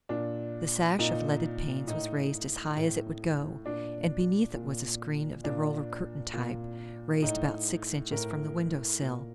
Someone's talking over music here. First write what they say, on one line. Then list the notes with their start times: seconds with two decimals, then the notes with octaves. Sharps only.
The sash of leaded panes was raised as high as it would go, and beneath it was a screen of the roller-curtain type, raised about six inches from the window sill.
0.09 A#2 D4
0.99 A#2 D#4
1.87 A2 D#4
2.77 A2
3.66 A#2 D4
4.55 A#2
5.44 A#2 D4
6.33 A#2
7.22 A2 D#4
8.11 A2 A#4
9.01 A#2